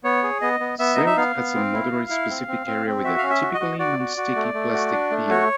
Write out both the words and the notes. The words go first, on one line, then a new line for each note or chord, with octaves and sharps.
Silt has a moderate specific area with a typically non-sticky, plastic feel.
B3 C#5
G#4
B3 D#5
B3
B3 E5
D#4 D#5
E5
B3 F5
B3
C4
E4
E4
E4
C4
C4
C4
C4
F#4 E5
C#4 F5
E5
F#4
D#5
F#4
F#4 D5
F#4
F#4
A3
A3
F#4
D4
A3
F#4 C#5